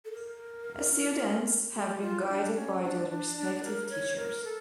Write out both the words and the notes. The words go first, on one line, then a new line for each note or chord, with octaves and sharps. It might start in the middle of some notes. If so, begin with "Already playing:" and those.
Students have been guided by the respective teachers.
A4
A#4
G4
F4
E4
D4
C#4
D4
D4
D4
A#4
C#5
A#4
A4